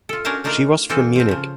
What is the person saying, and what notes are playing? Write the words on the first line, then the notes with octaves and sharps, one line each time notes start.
She was from Munich.
F4 A4
C#4 D4 F#4 A#4 C5 A5
A3 D4 D#4 F4 A#4
E3 C4 F4 A4
F3 C4
C#3 F3